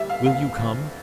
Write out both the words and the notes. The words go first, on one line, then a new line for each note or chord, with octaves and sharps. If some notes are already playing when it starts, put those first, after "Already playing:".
Will you come?
Already playing: D2 G3 E5
F5
D2 F5
D2